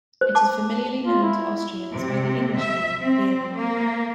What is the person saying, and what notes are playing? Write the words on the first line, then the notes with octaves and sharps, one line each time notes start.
It is familiarly known to Austrians by the English name "Vienna".
C5
A5 D6
F4
E4
C3
E5
C4
A#3